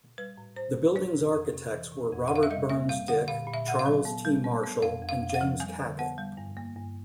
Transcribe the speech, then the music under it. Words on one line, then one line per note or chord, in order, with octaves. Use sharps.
The building's architects were Robert Burns Dick, Charles T. Marshall and James Cackett.
G3 B4
A2
A2 C5
A2
F3 C#5
F2
F2
C3
E3
C3
F2
F#5
F2 F5
E5
G3 D#5
A#3 E5
G3 F5
D3 F#5
A#2 F5
A#2
E5
A#2 F#5
F5
F#3
B3
G3
B3
B3
F2 F5
F2
F5
F2
F5
F#5
F3
G3 G#5
D3
B3 F#5
G3
G2
A#3
G2